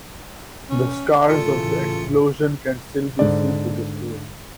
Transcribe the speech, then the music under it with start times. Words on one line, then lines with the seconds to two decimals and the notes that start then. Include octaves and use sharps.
The scars of the explosion can still be seen to this day.
0.70 C#4
1.29 A2 C#3 E3 F4 A4 C#7
3.19 G#2 D3 D5